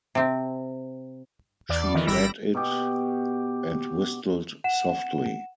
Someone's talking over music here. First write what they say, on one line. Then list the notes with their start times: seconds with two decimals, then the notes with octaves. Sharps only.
She read it and whistled softly.
0.15 C3 C4
1.69 E2 D5
1.94 D#3 E3
2.07 G1 G3 B5 E6 A#6 D7
2.55 B2 G4
4.64 F#5 E7